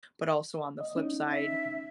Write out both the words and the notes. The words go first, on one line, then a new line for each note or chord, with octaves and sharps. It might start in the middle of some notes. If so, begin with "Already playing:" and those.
but also, on the flip side,
D#5
C#4 D#4
E5